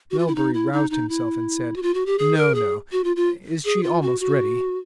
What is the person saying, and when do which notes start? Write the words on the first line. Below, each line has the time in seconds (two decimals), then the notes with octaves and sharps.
Melbury roused himself and said, "No, no. Is she almost ready?"
0.11 F#4
0.19 F4
0.27 E4
0.35 D#4
0.54 E4
0.72 D#4
0.90 D#4
1.09 E4
1.76 F#4
1.83 F4
1.94 F#4
2.06 G4
2.18 G#4
2.37 A#4
2.55 G#4
2.92 F#4
3.04 F4
3.16 F4
3.65 G#4
3.83 F4
4.02 F#4
4.20 F#4